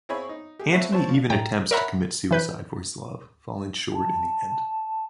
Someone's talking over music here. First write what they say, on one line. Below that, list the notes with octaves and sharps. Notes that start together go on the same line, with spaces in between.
Antony even attempts to commit suicide for his love, falling short in the end.
C4 E4 G#4 C#5 G#5 B5
D#4
G4 G#4
A3 C4 E4 C#5 F#5
C4 C5 C#5 A5
F3 D4
A2 G5 A#5
A#4 C#5 E5 F#5 A#5 B5
E3 B4 G6
A5